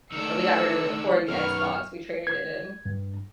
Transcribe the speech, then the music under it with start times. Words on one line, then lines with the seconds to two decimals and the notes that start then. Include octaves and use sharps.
but we got rid of it for the Xbox; we traded it in.
0.12 D#3 A3 D4 E6 C#7
1.28 F#2 B2 D#3 B3 C#6 F6
2.27 G#6
2.86 G2